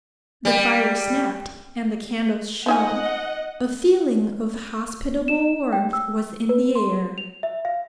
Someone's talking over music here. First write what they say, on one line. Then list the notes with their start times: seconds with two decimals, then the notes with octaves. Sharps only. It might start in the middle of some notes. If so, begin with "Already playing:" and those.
The fire snapped and the candles shone; a feeling of hospitable warmth was in the air.
0.45 G3
2.66 F3 D#4 D#5 F#5 G#5
5.28 E7
5.73 G5
5.93 E6
6.49 B4
6.75 C6
7.18 F7
7.43 E5
7.65 F5